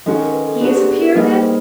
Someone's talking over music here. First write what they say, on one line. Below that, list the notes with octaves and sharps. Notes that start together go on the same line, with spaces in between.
"He is a peer, then?"
D#3 G#3 C#4 F#4 A4
A#4
B4
A4
B3 D4 F#4 G#4
G4
G#4
A#4
G3 A#3 D#4 G#4 B4
C5